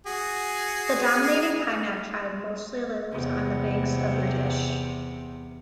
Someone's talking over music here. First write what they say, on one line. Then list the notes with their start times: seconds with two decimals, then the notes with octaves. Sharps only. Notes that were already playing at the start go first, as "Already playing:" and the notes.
The dominating Kimak tribe mostly lived on the banks of Irtysh.
0.06 F#4 G#4
3.12 E2 C3